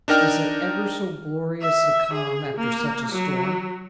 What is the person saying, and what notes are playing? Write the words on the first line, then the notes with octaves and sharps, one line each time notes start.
Was there ever so glorious a calm after such a storm?
D4 D#4 A#4 G5 F6
E5
G#4
A#3
F#3